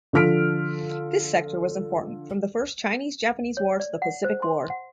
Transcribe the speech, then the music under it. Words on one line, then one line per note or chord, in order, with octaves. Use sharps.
This sector was important from the First Chinese-Japanese war to the Pacific War.
D3 F3 A4 F6 B6 D7
C#5
D5
F#5
C5
C6
F#5